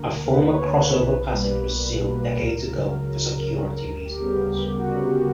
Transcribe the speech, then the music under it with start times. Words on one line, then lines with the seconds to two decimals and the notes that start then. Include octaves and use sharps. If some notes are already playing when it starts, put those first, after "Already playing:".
A former crossover passage was sealed decades ago for security reasons.
Already playing: D2 D3 A#3 A#4
0.25 D2 B4
0.50 C#5
0.61 D3 A#3
0.74 B4
0.97 B1
1.32 B2 G3 A#3
1.68 B1
2.03 B2 G3 A#3
2.39 C#2 A#4
2.75 C#3 F#3
3.11 C#2
3.47 C#3 F#3
3.81 D2 A#4
3.99 A#4
4.05 G4
4.18 C#3 G3 B3
4.29 G4
4.53 D2 G4
4.77 F#4
4.89 C#3 G3 B3
5.00 G4